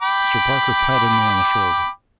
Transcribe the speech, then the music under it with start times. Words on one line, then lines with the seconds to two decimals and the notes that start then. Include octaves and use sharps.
Mr. Parker patted me on the shoulder.
0.02 G5 B5 D6